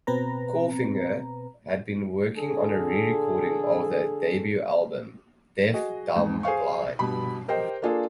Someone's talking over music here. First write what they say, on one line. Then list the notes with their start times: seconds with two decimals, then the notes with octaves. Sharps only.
Clawfinger had been working on a re-recording of their debut album "Deaf Dumb Blind".
0.07 B2 C4 B4 A#5
2.35 D3 G#4 A4
5.73 F#4 G#4 D#5
6.16 E2 G#2
6.43 G#4 C5 F5 C#6
6.99 G2 B2 B5
7.48 G4 A#4 C5 D#5 G5
7.82 A#3 D4 F4 G#4 A4 F5